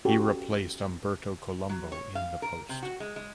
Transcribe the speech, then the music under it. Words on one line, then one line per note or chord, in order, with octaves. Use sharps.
He replaced Umberto Colombo in the post.
C#4 F#4 G4 A4
F#3
C#5
F5
A#4
C3
F#4
G#3
G#3